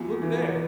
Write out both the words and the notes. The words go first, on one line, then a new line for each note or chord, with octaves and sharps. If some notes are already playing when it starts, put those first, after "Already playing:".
"Look there!"
Already playing: E2 F3 E4 F#4
E3